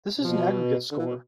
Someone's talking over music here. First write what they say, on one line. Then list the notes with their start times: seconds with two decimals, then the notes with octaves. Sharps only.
This is an aggregate score.
0.19 C3
0.24 B2 F3
0.92 D3
0.99 B2 E3